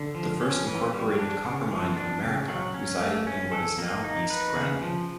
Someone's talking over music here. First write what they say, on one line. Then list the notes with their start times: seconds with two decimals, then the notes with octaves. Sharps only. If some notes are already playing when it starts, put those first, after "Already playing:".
The first incorporated copper mine in America resided in what is now East Granby.
Already playing: D3
0.15 F3
0.41 C#4
0.67 E3
0.93 G3
1.19 D4
1.45 C#3
1.71 F3
1.97 D4
2.22 C#3
2.48 F#3
2.74 C#4
3.01 A3
3.27 C#4
3.52 A4
3.78 A#3
4.04 D#4
4.30 B4
4.56 C#3
4.82 F3